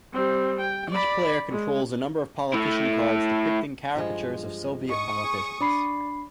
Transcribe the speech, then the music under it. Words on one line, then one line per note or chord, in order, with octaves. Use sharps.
Each player controls a number of politician cards depicting caricatures of Soviet politicians.
G3 C4
G5
D5 B5
G#3
A3 E4
G2 F3 G#3
G#2 C#6 D#6
G#4
D4 D5 B5 C7